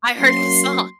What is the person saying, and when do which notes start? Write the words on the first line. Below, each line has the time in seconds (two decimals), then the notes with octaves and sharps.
I heard the song.
0.19 F#3 A#3 C#4 C6